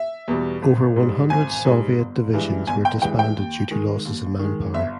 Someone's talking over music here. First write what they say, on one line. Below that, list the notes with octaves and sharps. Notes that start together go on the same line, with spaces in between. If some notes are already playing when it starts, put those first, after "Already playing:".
Over one hundred Soviet divisions were disbanded due to losses in manpower.
Already playing: E5
E2 B2 G3
G#1
G#2 G3
G#1 G#5
G#2 G3
G1
G2 E3 G#3
G1 G#5
G5
G2 E3 G#3 G5
G5
D#2
D#3 G#3
D#2
D#3 G#3
G1 E5